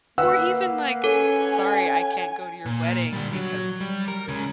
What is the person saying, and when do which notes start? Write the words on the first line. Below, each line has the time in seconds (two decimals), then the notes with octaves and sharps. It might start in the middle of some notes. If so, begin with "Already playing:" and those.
or even, like, "Sorry, I can't go to your wedding because
0.18 A#3 B4 F#5 E6
1.04 C#4 A4 G#5
2.66 A#2
3.13 D3 G3
3.33 F#3
3.80 G3
4.08 A#4
4.28 C#3 G#3